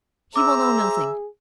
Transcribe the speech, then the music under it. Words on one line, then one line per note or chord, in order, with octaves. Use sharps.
"He will know nothing."
G#4 C5 E5 A#5 D6 E6